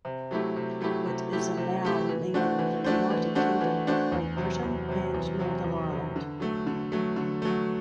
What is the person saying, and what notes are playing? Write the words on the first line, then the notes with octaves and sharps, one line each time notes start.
It is a noun meaning "the United Kingdom of Great Britain and Northern Ireland".
C3
F#3 A3 E4 G4
C3
F#3 A3 E4 G4
C3
F#3 A3 E4 G4
C3
F#3 A3 E4 G4
E3
A3 D4 F#4 C5
E3
A3 D4 F#4 C5
E3
A3 D4 F#4 C5
E3
A3 D4 F#4 C5
E2
C3 F#3
E2
C3 F#3
E2
C3 F#3
E2
C3 F#3
D3
F#3 A3
D3
F#3 A3
D3
F#3 A3